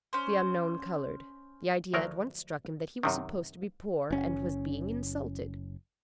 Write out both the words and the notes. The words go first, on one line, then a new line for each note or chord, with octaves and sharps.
The unknown colored; the idea at once struck him that he was supposed to be poor, and was being insulted.
C#4 C5
D2 F3 F#3 A#4
F#2 C3 D#3
F#1 C#4